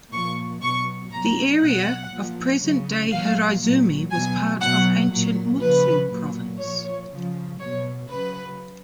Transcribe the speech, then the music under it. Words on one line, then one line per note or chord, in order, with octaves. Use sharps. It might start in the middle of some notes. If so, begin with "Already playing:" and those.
The area of present-day Hiraizumi was part of ancient Mutsu Province.
A#2 F3 C#6
B2 F#3 C#6
B2 F#3 A#5
B2 F#3 F#5
A#2 F3
C#3 F#3
A#2 F#3 F5
A#2 F#3
B2 F#3 G#5
B2 F#3 F#5
A#2 F#3
C#3 F3 B4
A#2 F#3
A#2 F3 C#5
C#3 F3
B2 F#3 C#5
C#3 F#3 B4